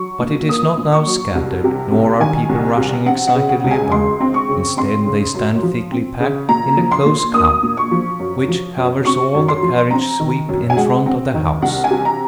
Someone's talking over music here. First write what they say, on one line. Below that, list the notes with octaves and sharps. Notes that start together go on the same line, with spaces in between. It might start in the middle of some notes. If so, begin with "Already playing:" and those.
But it is not now scattered, nor are people rushing excitedly about; instead, they stand thickly packed in a close clump, which covers all the carriage sweep in front of the house.
Already playing: F#3 C#6
A#2
A#3 D#6
A#2
C#6
F#3
C2
C3
C2
D#3 G#5
C2
C3
C4 F#5
F#5
C#3
F#5
C#2
G#5
G#3 C6
C4
C#6
C#3
C4 C6
C#3
F#2
F3
C4
C#3
A#2 A#5
F3
C6
A#2
A#3 D#6
A#2
C#6
F3
F#2
F3
F#2
C4 C#6
F#2
C6
F3
C4 A#5
D#3
F#2
G#5
G#3 F#5
C4
D#3
C2 F#5
G#5
C3
A#5